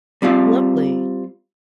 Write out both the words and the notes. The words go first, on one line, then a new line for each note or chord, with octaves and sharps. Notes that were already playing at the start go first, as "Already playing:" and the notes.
That's lovely.
G3 C4 F4 F5